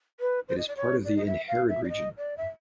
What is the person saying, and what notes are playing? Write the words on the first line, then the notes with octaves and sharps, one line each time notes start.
It is part of the Innherred region.
B4
C5
D#5
D5
C#5
D5
D#5
E5
F5
E5
D5
D#5
D5
E5